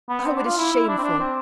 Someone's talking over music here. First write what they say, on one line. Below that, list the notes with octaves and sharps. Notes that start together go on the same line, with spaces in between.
Oh! it is shameful!
B3
C4
D4
F4
E4
E4
D4
C4
D4
C4